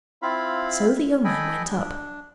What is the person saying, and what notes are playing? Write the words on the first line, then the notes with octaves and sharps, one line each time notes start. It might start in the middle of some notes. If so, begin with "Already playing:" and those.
So the young man went up.
C4 E4 F4 F5 B5
A4 D#5 G5 G#5 B5
D4